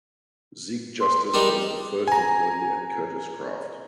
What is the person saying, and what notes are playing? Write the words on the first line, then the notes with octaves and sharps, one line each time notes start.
Zeke Justice was the first employee at Kurtis-Kraft.
C6
G3 D4 D#4 A#4
G#5 A#5